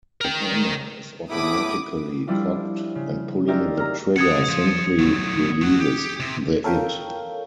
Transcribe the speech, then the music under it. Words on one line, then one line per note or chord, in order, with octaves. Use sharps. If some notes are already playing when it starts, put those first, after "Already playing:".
The hammer is automatically cocked, and pulling the trigger simply releases the it.
A#4 G5
E2 A2 E4 B5 D6 D#6
F3 G3 D4 E4 F4
C#3
D#4 F4 G4 A#4 D5 E5
A#5 F6
A4 F#5 D#6 G#6 C#7
F3
F#3 A3
A3 F#5
G4
C3
A4 A#4 C#5 F5 G5